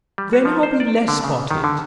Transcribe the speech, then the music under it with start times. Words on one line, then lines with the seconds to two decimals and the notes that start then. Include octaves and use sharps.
"Then I'll be less spotted."
0.18 G3
0.33 F#4
0.45 F3
0.63 C5
0.80 D5
1.08 D3
1.24 C#3
1.51 D#3
1.64 D3